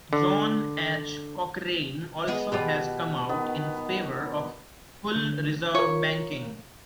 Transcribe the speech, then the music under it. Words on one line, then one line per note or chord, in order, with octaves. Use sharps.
John H. Cochrane also has come out in favor of full reserve banking.
D3
G#3 B3 G#4
B2 F4 G4 G#4 B4
D#3 B3
D3
F4 A#4 C#5